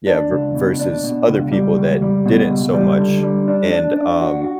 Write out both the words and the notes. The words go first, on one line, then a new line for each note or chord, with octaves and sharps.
Yeah, ver versus other people that didn't so much, and um,
D4
C#2
B2
D4
B2
C#2
G3
C#2
G3
B2
C#2
G3
D3
G3
D4
D4
D4
F#4
F#4